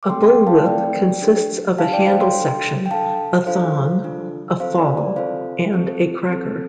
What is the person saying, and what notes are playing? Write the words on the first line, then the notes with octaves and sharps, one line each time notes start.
A bullwhip consists of a handle section, a "thong", a "fall", and a "cracker".
D6
A3 C4 A4 G5 C6
G5 C6
F5 A5
A3 C4 A4 D5 G5
D4 G4
D4 G4 F5 A5
D5 G5
C5 F5
G5 C6
D4 A4
G5
D4 A4 F5 A5
D4 F4 A4 C5 F5
D4 F4 A4
C4 F4 A4 C5 F5
D5
D5
C4 F4 A4 C5 F5
C4 A4
C4 A4